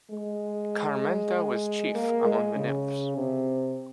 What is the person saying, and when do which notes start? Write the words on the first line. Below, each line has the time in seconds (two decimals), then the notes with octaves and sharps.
Carmenta was chief among the nymphs.
0.10 G#3
1.95 A#3
2.24 G#3
2.55 C#3
3.17 C3